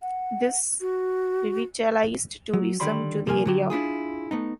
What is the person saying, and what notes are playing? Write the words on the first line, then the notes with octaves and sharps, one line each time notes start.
This revitalized tourism to the area.
F#5
F#4
F#3
D3 D#3 G3 D5 B5 C6
C3 F3 A#3 A#4 G#5
D3 F#3 G4
D4 E4 F4 G#4
A3 B3 D#4